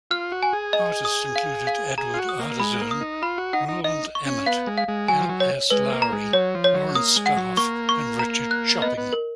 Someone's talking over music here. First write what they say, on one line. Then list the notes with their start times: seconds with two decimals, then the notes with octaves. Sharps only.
Artists included Edward Ardizzone, Roland Emmett, L. S. Lowry, Lawrence Scarfe and Richard Chopping.
0.11 F4 F6
0.32 F#4
0.43 G#5
0.53 G#4
0.73 D#5
1.05 D#6
1.36 F5
1.67 F5
1.98 G#4 A#5
2.14 F4
2.19 F#4
2.29 D#6
2.39 A#3
2.60 G#3 B5
2.81 A#3
2.91 D#6
3.01 D#4
3.22 F4 B5
3.38 F#4
3.53 D#4 F#5
3.69 D#4
3.84 D#4 D#5
4.15 C#6
4.26 C#4
4.46 B3 F5
4.67 G#3
4.78 F5
4.88 G#3
5.08 F#3 G#5
5.20 F3
5.29 F#3
5.40 C#5
5.70 G#3 B4
5.92 A#3
6.02 A#5
6.12 G#3
6.33 F#3 C#5
6.54 F3
6.64 C#5
6.74 F#3
6.95 A#3 D#6
7.16 G#3
7.26 F#5
7.36 F#3
7.57 A#3 C#6
7.89 C#6
8.19 A#5
8.51 F#6
8.82 B3 D#5
8.98 B3
9.13 A#4